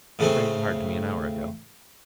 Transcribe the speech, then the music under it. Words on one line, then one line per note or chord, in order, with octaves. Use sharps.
"Mr. Brand wired to me an hour ago."
A2 C#3 A3 C4